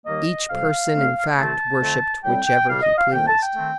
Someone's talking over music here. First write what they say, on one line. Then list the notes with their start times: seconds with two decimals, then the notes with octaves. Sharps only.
Each person, in fact, worshipped whichever he pleased.
0.06 D#2 D#3 G3 A#3 D#5
0.50 F2 C3 G3 F5
0.93 F2 D3 A3 C4
1.37 C2 C3 D#3 A3 C4 A5
1.80 F2 D3 A3 C4
2.24 A2 G3 C4 G5
2.46 G5
2.68 C2 C3 G3 F5
2.82 D#5
2.98 F5
3.12 F2 D#3 A#3 G5
3.27 A5
3.41 G5
3.56 D#3 A3 C4